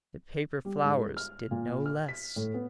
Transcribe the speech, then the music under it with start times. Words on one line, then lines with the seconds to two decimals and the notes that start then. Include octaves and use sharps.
The paper flowers did no less.
0.65 G3
0.83 G#2
1.17 F6
1.51 A#2
1.86 F6
2.09 B6
2.36 A2
2.54 B3